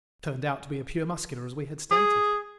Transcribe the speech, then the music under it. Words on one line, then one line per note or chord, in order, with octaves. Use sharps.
He turned out to be a pure Muscular as we had stated.
G#4